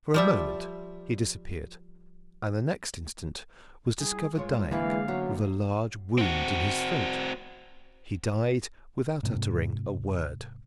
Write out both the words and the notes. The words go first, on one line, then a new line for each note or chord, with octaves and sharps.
For a moment he disappeared, and the next instant was discovered dying, with a large wound in his throat; he died without uttering a word.
F3 G3 E5
G3 E4 G#4
G2 G#3 F4 C#5
D3 E3 G#3 A#3 G#4 B4 F5
F#3 B3 C#4
C4 F#4
G#2 C3